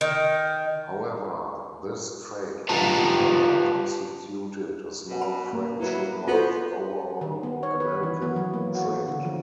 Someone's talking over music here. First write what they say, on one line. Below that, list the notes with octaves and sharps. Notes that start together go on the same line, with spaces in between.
However, this trade only ever constituted a small fraction of the overall American trade.
D#3
F4 G4 B4 G5 A5 A#5
B2
B5
A#3
F#3 E4 B4
B3 F4 F#4 A4 B4 C5
D#3
B3
C#5
B4
E3
B3
F#3
A#3
F#4
D3
F3